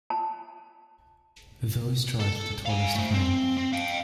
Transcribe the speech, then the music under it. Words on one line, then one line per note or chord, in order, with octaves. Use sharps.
Those tribes were the tallest of men.
A5
A4
F5 G#5
A3 C5
C4
C4
F5 G5